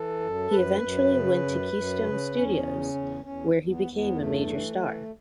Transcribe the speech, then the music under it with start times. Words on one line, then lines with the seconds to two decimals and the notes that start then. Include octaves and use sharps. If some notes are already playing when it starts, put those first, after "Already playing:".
He eventually went to Keystone Studios, where he became a major star.
Already playing: E3 A4
0.20 F#2
0.51 F#2 B4
0.81 F#2
1.12 C#3
1.43 F#2
1.73 F#2
2.03 C#3
2.34 E2 C#4
2.64 C#3
2.95 E2
3.24 E2 C#4
3.55 E2
3.70 B3
3.85 E2
3.93 B3
4.16 G2 A3
4.46 E3
4.76 E3